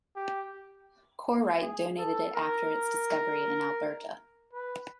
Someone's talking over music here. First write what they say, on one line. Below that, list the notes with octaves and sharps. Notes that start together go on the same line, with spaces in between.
Korite donated it after its discovery in Alberta.
G4
G#4
A4
A#4
B4